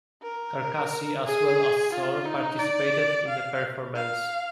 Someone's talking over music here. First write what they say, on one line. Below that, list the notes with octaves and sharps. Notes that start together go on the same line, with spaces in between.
Carcassi, as well as Sor, participated in the performance.
A#4
G#4
F4
D#4
D5
F5
F5